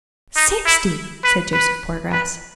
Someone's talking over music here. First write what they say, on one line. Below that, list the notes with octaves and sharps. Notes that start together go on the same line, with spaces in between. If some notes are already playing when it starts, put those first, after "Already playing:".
"Sixty!" said Joseph Poorgrass.
D#4
E4
B4
B4
B4